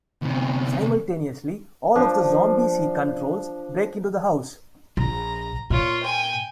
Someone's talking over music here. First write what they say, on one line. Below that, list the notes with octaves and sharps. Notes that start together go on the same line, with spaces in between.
Simultaneously, all of the zombies he controls break into the house.
D2 C3
F3 D4
A#1 A#5
A#2 F4 C#5
G5 G#5